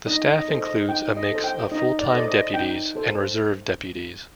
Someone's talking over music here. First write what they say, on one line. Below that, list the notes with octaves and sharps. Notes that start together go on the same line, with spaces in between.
The staff includes a mix of full-time deputies and reserve deputies.
D#4 D#5
D#5
A4 C5
D#5
D#4 G5
D#5
A4 C5
G5
D#4 D#5
D5
D#5
A4 C5 D5
D#5
D#4 G5
A4 C5